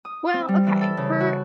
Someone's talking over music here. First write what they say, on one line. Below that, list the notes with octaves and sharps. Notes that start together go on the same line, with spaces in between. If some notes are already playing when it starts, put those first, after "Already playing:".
well, okay. For
D#6
C4
G3
E3
A4
C#3
F#4